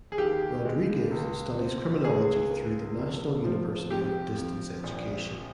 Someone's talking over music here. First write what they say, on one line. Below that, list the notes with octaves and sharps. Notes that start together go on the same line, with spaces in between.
Rodriguez studies criminology through the National University of Distance Education.
G#4
D#2 G4
G#3
C#2
C4
C#2 G#4
A#3
F1
F3
F2 G4
F2
A#1